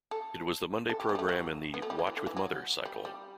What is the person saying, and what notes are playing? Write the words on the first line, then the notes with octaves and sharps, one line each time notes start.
It was the Monday programme in the "Watch with Mother" cycle.
A4
A4
G4
B3
G3
A3
F#3
B3
A3
G3
F#3
E3
D3
E3
F#3
G3
G3